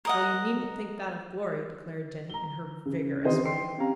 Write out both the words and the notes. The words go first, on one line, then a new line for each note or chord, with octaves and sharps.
"Well, you needn't think that of Glory," declared Jenny in her vigorous way.
A#4 D#5 F#5
A#5 G7
C#3
D#3 E3 C4 G4 C5 D#5
G5 C6 C7
C4 C#4 G4 F5 A#5